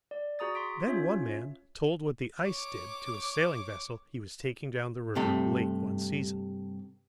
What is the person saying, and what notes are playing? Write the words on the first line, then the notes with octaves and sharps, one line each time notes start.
Then one man told what the ice did to a sailing-vessel he was taking down the river late one season.
D5
F#4 G#4 A#5 D#6 A6
C6 B6 D7
C#4 F4 C#5 E5
C#5 D6
G2 C3 A3